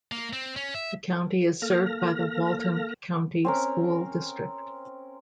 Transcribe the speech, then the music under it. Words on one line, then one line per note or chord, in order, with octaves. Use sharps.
The county is served by the Walton County School District.
A#3
C4
C#4
E5
A#3 A4 F5 F6 A#6
C4 C#4 A#4